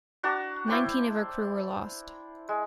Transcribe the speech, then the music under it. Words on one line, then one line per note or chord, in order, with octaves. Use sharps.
Nineteen of her crew were lost.
D4 F#4 A5 A#5
E4 C5 D5 G5
G#3